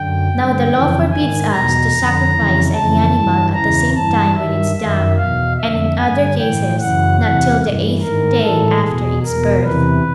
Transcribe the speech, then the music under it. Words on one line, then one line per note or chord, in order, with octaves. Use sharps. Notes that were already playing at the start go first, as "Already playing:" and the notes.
Now the law forbids us to sacrifice any animal at the same time with its dam; and, in other cases, not till the eighth day after its birth.
Already playing: F#2 D3 G5
G2 D3
F2 C#3 E3
G#2 D#3 G#5
E2 B2 A#5
F2 D3
F2 C#3 E3
F2 C#3 E3 A5
G2 E3
E2 C#3 E3 A#5
G2 E3 A5
G2 D#3 E5
F#2 D#3 E5
E2 B2 F5
F2 D3 E5
G2 D3 G#5
A2 E3 G5
F#2 C#3 E3 F#5
E2 C3 E3 F#5
G2 E3
G#2 D#3 A#4
A2 E3 A4
B2 G#4
E2
E2 B2 A#4
E2 C3 E3 B4